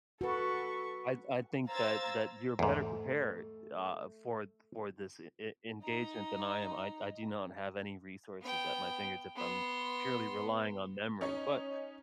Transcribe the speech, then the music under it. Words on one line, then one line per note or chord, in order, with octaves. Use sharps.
I I think that that you're better prepared, uh, for for this e engagement than I am. I I do not have any resources at my fingertips. I'm purely relying on memory. But
F#4 A4 B4 C#6
C5 F5 A#5 E6 G#6 A6
E2 G#2 A3
D#4 A#5
B3 G5
B3 C6
C#4 D#4 C#5